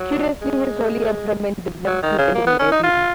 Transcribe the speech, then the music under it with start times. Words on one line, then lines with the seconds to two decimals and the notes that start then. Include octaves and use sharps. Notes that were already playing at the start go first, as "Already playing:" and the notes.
Curiously his holy employment did not prevent him marrying.
Already playing: F#3
0.42 G#3
1.87 F#3
2.03 D#3
2.18 C#3
2.35 A#3
2.47 B3
2.60 C#4
2.72 D#4
2.84 F4